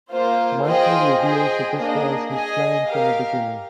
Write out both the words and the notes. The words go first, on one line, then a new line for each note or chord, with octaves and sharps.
Michael reveals that this was his plan from the beginning.
A#3 F4 C5
F4 G#4 C5 D#5 G5
G#4 C5 D#5 G5
A#3 D4 G#4 D#5
G#4 D#5 G#5
G4 A#4 F5